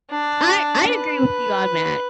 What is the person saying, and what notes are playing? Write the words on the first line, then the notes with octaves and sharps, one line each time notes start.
I I agree with you on that,
D4
B4